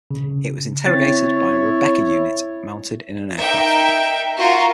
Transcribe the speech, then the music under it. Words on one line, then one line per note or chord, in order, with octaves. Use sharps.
It was interrogated by a "Rebecca" unit mounted in an aircraft.
C#3
C4 E4 C#5 A6
D#4 A#4 E5 G5
F4 F#4 A#4